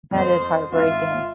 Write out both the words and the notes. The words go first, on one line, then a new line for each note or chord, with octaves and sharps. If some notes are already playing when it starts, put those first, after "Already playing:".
That is heartbreaking.
F2 C4 C5
G#1 F4 E5